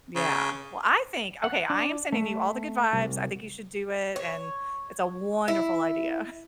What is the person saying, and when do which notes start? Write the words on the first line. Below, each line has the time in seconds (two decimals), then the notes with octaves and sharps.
Yeah, well, I think okay, I am sending you all the good vibes, I think you should do it, and it's a wonderful idea.
0.15 C#3
1.44 F#5
1.70 D4
2.12 A3
2.93 C2
4.16 C#5
5.48 E4